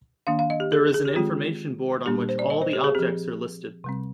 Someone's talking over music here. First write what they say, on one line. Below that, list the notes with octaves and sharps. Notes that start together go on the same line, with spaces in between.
There is an information board on which all the objects are listed.
D#3 A#3 D4 F5
F5
D#5
G4
G#4
G#4
G4
D#3 G#3 C4 F4
A#2 G3 A#3 D4 G4
C5
D5
D#5
C5
G4
G#4
F3 C4 G4
C3 G3 C4